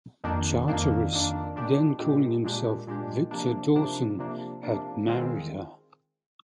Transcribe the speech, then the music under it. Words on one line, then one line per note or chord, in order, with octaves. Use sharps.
Charteris, then calling himself Victor Dawson, had married her.
F2 D#3 A#3 D4
F2 D#3 A#3 D4
F2 D#3 A#3 D4
A#2 G#3 D4 G4
A#2 G#3 D4 G4
A#2 G#3 D4 G4
A#2 G#3 D4 G4
C3 F3 A#3 D4
C3 F3 A#3 D4
C3 F3 A#3 D4
C3 F3 A#3 D4
D#3 G#3 C4 F4